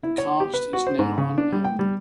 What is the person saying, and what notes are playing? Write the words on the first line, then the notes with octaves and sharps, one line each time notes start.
The cast is now unknown.
E4
C#5
G4
B4
F#4
C5
G#2
C#3
D4
G3
G5
G3